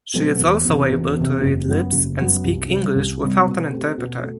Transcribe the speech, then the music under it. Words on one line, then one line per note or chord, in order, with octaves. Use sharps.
She is also able to read lips and speak English without an interpreter.
B2 F#3 A3 C4
E1
E2 C3
E1
E2 C3
F#1
F#2 F#3 B3
F#1
F#2 F#3 B3
C2
C3 G3 C4
C2
C3 G3 C4
B2
A3 C4 G4
B2
A3